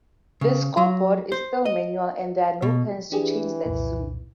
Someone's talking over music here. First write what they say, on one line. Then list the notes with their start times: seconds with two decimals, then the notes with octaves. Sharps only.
The scoreboard is still manual, and there are no plans to change that soon.
0.41 C#3
0.77 F#3
1.32 C5
1.65 D#5
2.62 B2
3.12 E3 D4 G4 G#4
3.66 C2 F2 A#2